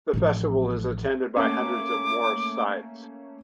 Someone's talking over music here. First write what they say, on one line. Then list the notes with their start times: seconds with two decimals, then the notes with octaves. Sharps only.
The festival is attended by hundreds of Morris sides.
0.13 A1 F3
1.37 A3 A#3 C#4 D6